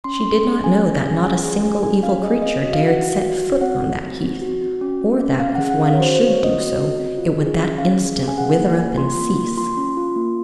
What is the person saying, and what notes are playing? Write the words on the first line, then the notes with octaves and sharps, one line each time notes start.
She did not know that not a single evil creature dared set foot on that heath, or that, if one should do so, it would that instant wither up and cease.
C#4 C6
C#4
G#4
C#4 G#5
C#4
G#4
C#4 G#5
G#4
G#4
G#4 G#5
C#4 F5
G#4 D#5
C4 D#5
D#5
F#4
F5
F#4 F#5
F#4
F#4
F#4
C4 F#5
C4
F#4
C4
F#4
F#4
C#4
C#4
C#4
C#4 F5
G#4 F#5
F#5
C#4 F5
C#5
F#4 C5
C4 C5
C#5
C4 D#5
F#4
F#4
C4
F4
G#4
C#4
C#4 F5
G#4
C#4
G#5
G#4 F#5
A#3
A#3
F4 C6
A#3
A#3
F4 C6
C#4
F4
A#3